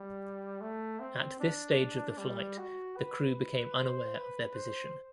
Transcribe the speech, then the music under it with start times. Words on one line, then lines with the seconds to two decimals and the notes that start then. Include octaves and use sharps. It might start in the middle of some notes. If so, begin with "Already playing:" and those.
At this stage of the flight the crew became unaware of their position.
Already playing: G3
0.61 A3
1.00 C4
1.40 D4
2.18 G3
2.58 F#4
2.97 B4
3.76 C5
4.15 B4
4.55 C5